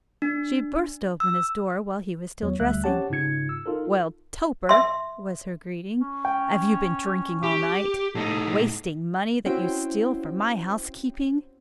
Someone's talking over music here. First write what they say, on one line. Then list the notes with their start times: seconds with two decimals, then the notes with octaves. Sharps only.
She burst open his door while he was still dressing: 'Well, Toper!' was her greeting, 'have you been drinking all night, wasting money that you steal from my housekeeping?
0.22 D4
1.20 E6
2.42 E2 F#3 C#5
2.60 D2 G3 E5 F#6
2.84 C4 C#4 G4 C#5 F#5 A5
3.10 G#2 C#3 D#4 F4 G#6 C#7
3.49 E6
3.66 D#4 F4 A4 A#4
4.69 E5 C6
5.99 C#4
6.25 G5
7.43 G4
8.15 A2 D#4 A4
9.46 C4 C#4 E4 F#4 C5 G5